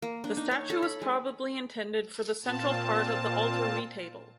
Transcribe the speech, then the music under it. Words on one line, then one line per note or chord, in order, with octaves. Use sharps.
The statue was probably intended for the central part of the altar retable.
A#3
D4
D#4
C#5
A4
B5
G#3
A#2 C4 F4 A5